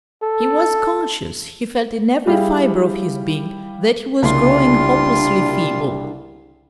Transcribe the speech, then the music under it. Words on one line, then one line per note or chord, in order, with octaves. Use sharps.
He was conscious, he felt in every fibre of his being that he was growing hopelessly feeble.
A4
G3 E4 G4 G#4 F5
C2 C#3 G3 A#3 D4 F4 C6